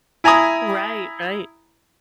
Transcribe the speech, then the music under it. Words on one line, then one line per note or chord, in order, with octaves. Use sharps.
Right, right.
E4 G#5 A#5 B5 D#6